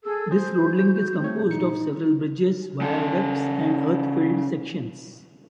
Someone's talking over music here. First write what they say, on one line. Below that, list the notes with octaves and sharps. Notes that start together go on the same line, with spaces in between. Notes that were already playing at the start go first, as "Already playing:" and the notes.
This roadlink is composed of several bridges, viaducts and earth-filled sections.
G#4 A4 E6
G#4 C5 G6
F#4
A3 C4 C#5
A#1 D#4 C#7
C#3 A4